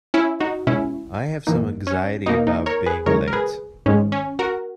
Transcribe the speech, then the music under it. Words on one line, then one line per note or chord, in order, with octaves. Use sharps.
I have some anxiety about being late.
C#4 E4
D#4 F#4
B2 G#3 C#4 E4
F#2 E3 A#3 D#4
C#4
B2 A#3 D#4
D#4
A#4 C#5
G#4 B4
F#2 C#3 E3 G#3 A#4 C#5
A#4
G#4 B4
G#2 D#3 G#3 C#4
C#4
F#4 A#4